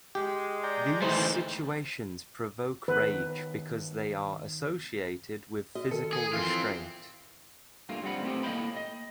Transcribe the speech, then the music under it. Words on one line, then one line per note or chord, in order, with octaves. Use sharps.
These situations provoke rage because they are associated with physical restraint.
G#3 G4
D5 G5 A#5
D#3 E3 A3 B4 C5 G5
D#3 B3 B4
F#4 D#5
D#3 A4 A#4 C#7
G#4
E3 F3 C4 F4
G2 A3 A#3 F4
G2 G3 C4 F#5 B5
A3 B3 C4 E4 G4
A2 A#3 D#5 F5 G5 B5
D#5